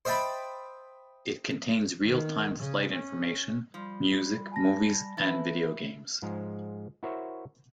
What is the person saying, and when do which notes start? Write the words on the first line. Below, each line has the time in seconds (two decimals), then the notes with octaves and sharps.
It contains real-time flight information, music, movies and video games.
0.05 C5 D#5 E5 G5 A5 B5
2.05 D#3
2.59 C#3
2.93 C#4
3.74 F3 G3
4.51 G#5 A5 A#6
5.17 E3 E4
6.22 G#2 F3 G#3 A#5
7.03 E4 F#4 A#4 C5 C#5 E5